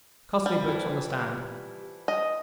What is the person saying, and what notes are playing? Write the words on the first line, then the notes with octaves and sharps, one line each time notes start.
Costly books on the stand.
G3
E3 F3 E4
D#5